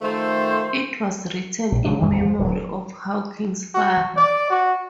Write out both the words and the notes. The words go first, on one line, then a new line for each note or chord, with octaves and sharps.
It was written in memory of Hawkins' father.
D#3 F3 A3 C5
A#1
C#3 F3 F#3 D4
F#2 D#3 E3 G3
A1 E2 D#3
F3
D1 D2 F#3
F#4
D5
F#4